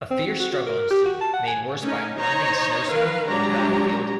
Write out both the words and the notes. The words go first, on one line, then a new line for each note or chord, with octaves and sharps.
A fierce struggle ensued, made worse by a blinding snowstorm on the battlefield.
C4
F#4
F#4
F#4
A#4
G4
F#4
A5
F#5
G#5
A3 C#4 D#4
D#4 C5 C#5 A#5
D#3 A#4 B4 F5
F#3 G#3 D4 G4 C#5 A#5